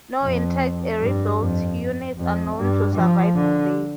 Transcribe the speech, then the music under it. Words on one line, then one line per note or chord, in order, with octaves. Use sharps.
No intact Erie-built units are known to survive today.
F2
G2
F2
F2
G2
F3
D3